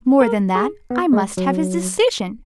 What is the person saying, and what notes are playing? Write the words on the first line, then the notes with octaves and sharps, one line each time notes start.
More than that, I must have his decision!
A#4
G#4
B3
G#3
F#3